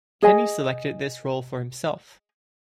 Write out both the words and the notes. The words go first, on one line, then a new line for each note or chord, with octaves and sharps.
Kenney selected this role for himself.
G#4 D#5 G#5